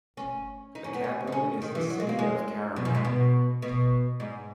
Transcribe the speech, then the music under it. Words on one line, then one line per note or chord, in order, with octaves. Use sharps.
The capital is the city of Karaman.
C#4
D#4
C#4
B3
C#4
D#4
C#4
D#3
E3
F#3
G#3
A#3
G#3
B2
F#2
G#2
B2
B2
G#2